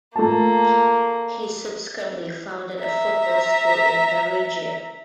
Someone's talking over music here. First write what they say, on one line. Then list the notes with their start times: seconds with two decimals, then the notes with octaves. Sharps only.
He subsequently founded a football school in Perugia.
0.16 A3 A#3 F4 A5
2.79 E5 A#5